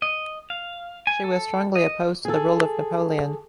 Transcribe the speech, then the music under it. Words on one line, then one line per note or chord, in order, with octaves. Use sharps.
She was strongly opposed to the rule of Napoleon.
D#5
F5
G#5
A4
D#5
G#4 A4